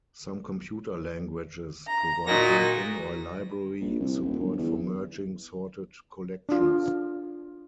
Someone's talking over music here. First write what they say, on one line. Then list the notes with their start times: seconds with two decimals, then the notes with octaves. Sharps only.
Some computer languages provide built-in or library support for merging sorted collections.
1.87 A#5
2.26 A#2 A#3 D#4 F#4 A#6
3.81 A#1
3.99 C2
4.20 D#1
4.39 G1
4.58 E2
6.49 D4 F4